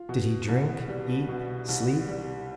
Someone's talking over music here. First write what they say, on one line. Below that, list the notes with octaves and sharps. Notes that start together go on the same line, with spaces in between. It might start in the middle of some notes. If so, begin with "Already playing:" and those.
Did he drink, eat, sleep?
Already playing: F4
B2
C2
G3
B2
C2
G3